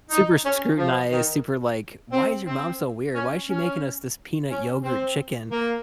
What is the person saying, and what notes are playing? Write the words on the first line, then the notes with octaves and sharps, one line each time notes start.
Super s scrutinized, super like, "Why is your mom so weird? Why is she making us this peanut yogurt chicken?"
D#4
C#4
F3
D#3
C4
C4
C#4
C#4
C#4
C4
A#3